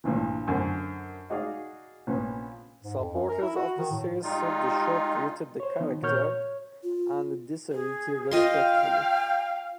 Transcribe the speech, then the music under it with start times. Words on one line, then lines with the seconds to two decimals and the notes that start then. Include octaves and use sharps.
Supporters of the series said the show treated the character and the disability respectfully.
0.04 A#1 G2 E3
0.48 F#2 D3 A#4 C5
1.30 D#4 F#4 G#4 D5 F5
2.07 A#1 B3 C#4
2.83 G#2
2.98 F2
3.14 F#2
3.29 A#4
3.42 E4
3.56 F#4
3.78 D#3
3.91 A2
4.23 G3 G#3 D#4 F4
5.60 C5 C#5
5.80 D#3 F3 B3 D#4
6.02 A#2 F#4 A#4 C#5 F6 G6
6.22 C#5
6.83 F4
7.71 G#4
8.31 F4 D#5 F5 G5 C6